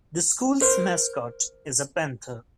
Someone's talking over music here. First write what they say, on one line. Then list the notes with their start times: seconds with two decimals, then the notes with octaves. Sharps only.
The school's mascot is a panther.
0.61 A#4 C5